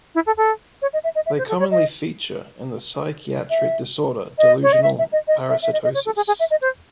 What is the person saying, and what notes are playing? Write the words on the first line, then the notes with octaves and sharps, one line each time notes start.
They commonly feature in the psychiatric disorder delusional parasitosis.
E4
A4
A4
C#5
D#5
E5
D#5
E5
C5
A4
C#5
D#5
E5
D#5
C#5
D#5
E5
E5
D#5
D#5
E5
E5
D#5
D#5
C#5
A4
G#4
G#4
E5
D#5
C5